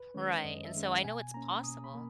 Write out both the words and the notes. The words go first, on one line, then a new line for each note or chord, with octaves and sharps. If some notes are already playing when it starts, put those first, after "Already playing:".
Right, and so I know it's possible.
Already playing: B4
D#3 G#3 C#4 C#5
F#2 D#5
E5
D#3 G#3 C#4
F#5
B2 G#5
A#3 C#4 A#5
B2 D#6
B5
A#3